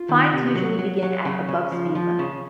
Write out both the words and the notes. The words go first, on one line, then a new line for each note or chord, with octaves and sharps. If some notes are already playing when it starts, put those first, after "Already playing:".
Fines usually begin at above speed limit.
Already playing: F4
D#3
C3
F#3
F#3
F#3
C#3
C#3
F3
F3
C#3